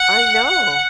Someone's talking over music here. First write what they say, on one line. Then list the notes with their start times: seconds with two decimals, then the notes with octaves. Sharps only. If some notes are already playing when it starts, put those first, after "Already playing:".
I know.
Already playing: F#5
0.46 F#5